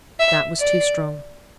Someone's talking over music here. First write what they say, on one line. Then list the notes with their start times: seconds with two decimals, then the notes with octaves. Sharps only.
That was too strong.
0.19 E5
0.60 D5